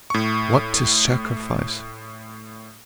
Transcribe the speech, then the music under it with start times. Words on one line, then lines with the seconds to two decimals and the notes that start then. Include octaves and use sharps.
What to sacrifice!
0.10 A2 C#6